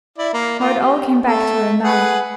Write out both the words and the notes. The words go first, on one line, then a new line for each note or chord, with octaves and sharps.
How it all came back to her now!
E4 D5
A#3
A#3 F4
G4
A3 A4
G#4 B4 F#5